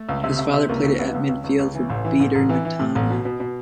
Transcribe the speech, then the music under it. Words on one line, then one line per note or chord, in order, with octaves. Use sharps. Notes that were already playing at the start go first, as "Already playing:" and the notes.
His father played at midfield for Beitar Netanya.
Already playing: A3
C#2
C3
C3
C3
C#2 A#3
C#2
C#2 B3
C#2
C#2
C#2
C#2
E3
A1
E3
A1
A1
E3
E3
A2
A1
B2
B2
B2